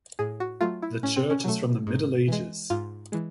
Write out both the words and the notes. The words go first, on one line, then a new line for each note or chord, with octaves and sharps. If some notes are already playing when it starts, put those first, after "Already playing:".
The church is from the Middle Ages.
A2 G#4
F#4
F#3 A3 F4
E4
A2 C#4
C4
C#4
F#3 A3
G#2
E3 G#3
G#2 F4
E3 G#3